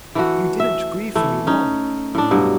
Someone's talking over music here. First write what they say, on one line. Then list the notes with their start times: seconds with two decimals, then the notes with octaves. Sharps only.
You didn't grieve for me long!
0.15 E3 A3 F#4
0.60 E5
1.16 E3 A3
1.47 C#4 D#4
2.15 A2 D4
2.31 G2 B2 F#3